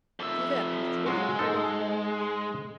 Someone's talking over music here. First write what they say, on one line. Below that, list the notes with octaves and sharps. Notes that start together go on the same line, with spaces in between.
do that, and it's really kind of,
F2 E5
F#3 G#3 F4 F#4
G#2 D#4 A4